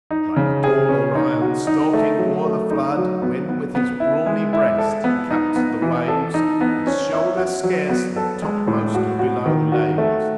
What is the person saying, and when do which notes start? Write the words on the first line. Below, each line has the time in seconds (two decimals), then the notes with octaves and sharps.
"Like tall Orion stalking o'er the flood: When with his brawny breast he cuts the waves, His shoulder scarce the topmost billow laves."
0.11 D#4
0.36 C#3
0.64 G#4
0.89 C#4
1.15 D#4
1.42 F#4
1.67 D#4
1.93 A3
2.19 F#3
2.45 A3
2.70 D#4
2.97 F#3
3.22 B3
3.49 B3
3.75 B3
4.00 E4
4.26 G#3
4.53 E4
4.78 A4
5.04 B3
5.30 D#4
5.56 B3
5.82 E3
6.08 A4
6.34 D#4
6.61 B3
6.87 C#4
7.12 E4
7.37 F#4
7.63 F#3
7.89 B3
8.16 A4
8.42 G#3
8.67 A2
8.94 F#4
9.19 F#4
9.46 D#3
9.72 F#4
9.98 A3